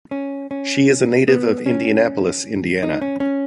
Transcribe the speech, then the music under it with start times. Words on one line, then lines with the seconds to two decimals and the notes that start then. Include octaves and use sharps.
She is a native of Indianapolis, Indiana.
0.11 C#4
0.51 C#4
1.28 B3
1.66 C#4
2.83 D#4
3.02 C#4
3.20 C#4